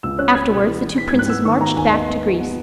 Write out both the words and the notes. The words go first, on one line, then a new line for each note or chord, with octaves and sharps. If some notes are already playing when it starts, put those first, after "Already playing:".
Afterwards the two princes marched back to Greece.
C#2 E6
C#4 F#6
C#4 G#6
B2
E3
E3
E3 B6
G#6
G#2
F#6
B3 E6
D#3 C#6
D#3 A#5
D#2 G#5
B3 D#5
B3
B3
B3